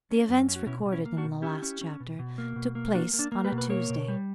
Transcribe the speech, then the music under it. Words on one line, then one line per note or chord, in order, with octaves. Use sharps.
The events recorded in the last chapter took place on a Tuesday.
C#4
F#2
C#4
F#4
B2 C#4 E4
B2
C#4 E4
A#3
D4 F#4
B2
C#4 E4 G4
C#4
C#4
B2
B2
A#3
B2
A#3
A#3 D4 F#4
A#3
D4
A#3
G4 B4
B2
B4
A#3 A#4 C#5
B2
G3